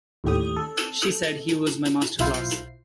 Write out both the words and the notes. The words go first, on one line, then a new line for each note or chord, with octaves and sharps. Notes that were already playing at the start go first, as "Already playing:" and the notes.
She said, He was my masterclass.
D#2 A2 G4 D#6
A4
B1 E4 F4 C5 C7